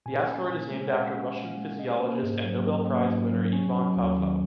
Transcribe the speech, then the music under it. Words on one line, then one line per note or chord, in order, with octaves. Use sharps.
The asteroid is named after Russian physiologist and Nobel prize winner Iwan Pawlow.
A#2 G#5
C#4
A#2
G#3
F#5
A#2 F5
C#4
A#2
G#3
C#4 D#5
C5
A#3
A#4
G#2 G#4
F#3
C#4
A#3
G#2
F#3
C#4
F#3
D#2 F#4
D#3